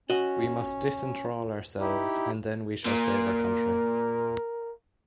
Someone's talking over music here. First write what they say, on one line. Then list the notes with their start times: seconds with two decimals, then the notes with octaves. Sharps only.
We must disenthrall ourselves and then we shall save our country.
0.10 C#4 F#4 D#5
1.80 D#4 E4 G4
2.86 A#2 A#4